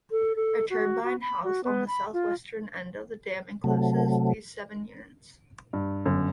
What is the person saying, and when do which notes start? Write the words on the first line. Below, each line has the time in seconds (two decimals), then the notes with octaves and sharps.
A turbine house, on the southwestern end of the dam, encloses these seven units.
0.11 A4
0.36 A4
0.70 F#4
1.03 F#4
1.21 B5
1.44 F#4
1.64 B3
1.87 B5
2.13 F4
3.64 C3 F#3 A3
5.73 G2
6.06 G1 F#2